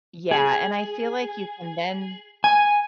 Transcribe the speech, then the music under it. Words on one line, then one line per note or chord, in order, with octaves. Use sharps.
Yeah, and I feel like you can then
G#4
G#5